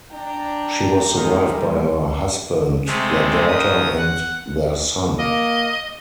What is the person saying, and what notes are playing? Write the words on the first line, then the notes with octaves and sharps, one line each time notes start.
She was survived by her husband, their daughter, and their son.
D4 G5 A#5
A2 D#3 G3 G#3 D4 G#4
C3 G#3 A3
D#2 D#6
F#5
A#3 D#5